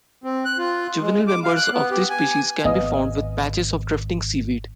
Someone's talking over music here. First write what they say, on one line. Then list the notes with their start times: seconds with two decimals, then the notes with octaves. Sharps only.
Juvenile members of this species can be found with patches of drifting seaweed.
0.24 C4
0.45 F#6
0.58 F4
1.01 G#3
1.28 D6
1.44 F5
1.56 F#6
1.72 B3
1.91 G4
2.10 G#5
2.65 G#1 B3 D#5 F5